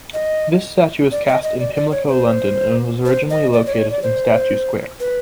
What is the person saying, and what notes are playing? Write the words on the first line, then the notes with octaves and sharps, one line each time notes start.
This statue was cast in Pimlico, London and was originally located in Statue Square.
D#5
D5
D#5
D#5
D5
D5
C#5
C5
C5
D#5
D5
C#5
D5
C#5
D5
C5
B4